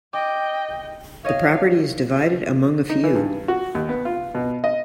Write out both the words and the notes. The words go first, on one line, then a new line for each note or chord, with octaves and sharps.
The property is divided among a few.
D#5 G5 D6
C#5 D#5 F5
D#4
E3
G2
F#4
D#2
B3
F4
B2
D#5